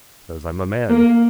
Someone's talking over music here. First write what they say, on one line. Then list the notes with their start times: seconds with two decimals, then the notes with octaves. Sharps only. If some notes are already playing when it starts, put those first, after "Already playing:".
Knows I'm a man.
0.89 A#3